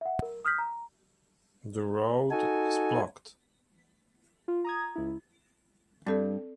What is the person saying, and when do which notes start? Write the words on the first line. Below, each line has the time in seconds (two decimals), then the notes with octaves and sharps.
The road is blocked.
0.01 E5 F#5
0.22 A#4
0.45 D#6 F6 G6 B6
0.59 A#5
2.31 D#4 F#4 A4 G#5
4.48 F4
4.64 A#5 D#6 G#6
4.96 C#2 E4
6.07 G2 C4 A4 D5